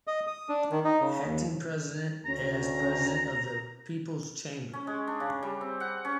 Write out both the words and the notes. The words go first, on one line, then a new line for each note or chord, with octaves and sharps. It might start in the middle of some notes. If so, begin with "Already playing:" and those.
Acting President, as President of the People's Chamber.
D#5
D#6
D4
D#3
D#4
C#3
D#2
D2 C#4 A#5
C#4
G#3
D4
C#3
G3
C4
F#5
C#4